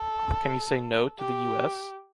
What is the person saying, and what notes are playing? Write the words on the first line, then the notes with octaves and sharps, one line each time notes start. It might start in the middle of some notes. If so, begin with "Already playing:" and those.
Can you say “no” to the US?
Already playing: A4
G4